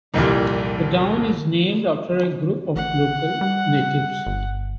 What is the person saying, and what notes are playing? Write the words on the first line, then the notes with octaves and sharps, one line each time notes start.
The town is named after a group of local natives.
C2 F2 A#2 E3 G3
A1 F#5
G3
G1